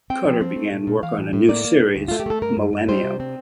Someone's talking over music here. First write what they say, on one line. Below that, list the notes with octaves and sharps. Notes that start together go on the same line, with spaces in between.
Carter began work on a new series, "Millennium".
C4 G5
F3
C4
A3
A#2
A#2
E3 F5
A2
A2
A#3 D5
A#3
A2
D2
A3 F4
G4
A3 A4
G2 A#4
G2
G2
G3 C5
C3
C4